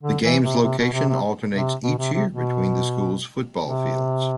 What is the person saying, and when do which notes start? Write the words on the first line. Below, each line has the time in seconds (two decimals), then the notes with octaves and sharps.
The game's location alternates each year between the schools' football fields.
0.03 D3
0.23 E3
0.43 C3
0.63 C3
0.78 B2
0.93 C3
1.09 C3
1.53 C3
1.83 B2
1.98 C3
2.13 C3
2.29 B2
3.63 C3